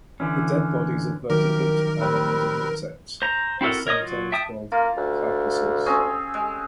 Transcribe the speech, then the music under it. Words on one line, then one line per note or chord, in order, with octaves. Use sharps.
The dead bodies of vertebrate animals and insects are sometimes called "carcasses".
D3 E3 C#4
D#3 F3 F#3 G4 A#4
G3 C4 B4
C5 A#5
C4 E4 F#4 A4 A#4
A#4 C#5 D#5 D#6
F#3 F4
E5 G5 A5 D#6
A#3 F4
D2
C4 C#4 G#4
G#3